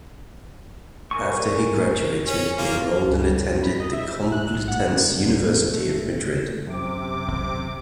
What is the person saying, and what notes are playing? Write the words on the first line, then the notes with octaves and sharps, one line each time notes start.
After he graduated, he enrolled and attended the Complutense University of Madrid.
A#4 G#5 C#6
C#4
A#3 F4
C#2
B5
D#5
E5
F#6
A#1
F#5
D3
C#2
A3
F#2 C3 D6